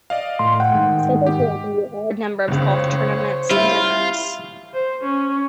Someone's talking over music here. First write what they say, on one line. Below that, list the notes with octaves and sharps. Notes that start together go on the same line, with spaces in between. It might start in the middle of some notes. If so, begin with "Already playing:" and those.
Scheduled throughout the year are a number of golf tournaments and dinners.
D5 D#5 F5
A2 C6
F#5 G5
G#2 D#3
G4
F#1 C#2 C5 C#5
G3 E4 F4
C5
C#4